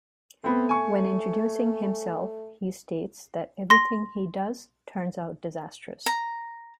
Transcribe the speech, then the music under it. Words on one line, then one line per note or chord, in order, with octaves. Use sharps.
When introducing himself, he states that everything he does turns out disastrous.
A3 B3 C4
G#5 C#6
C6 A#6
A#5